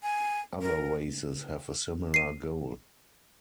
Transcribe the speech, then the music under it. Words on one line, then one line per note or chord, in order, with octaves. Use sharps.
Other races have a similar goal.
G#5
A#4
C7 D#7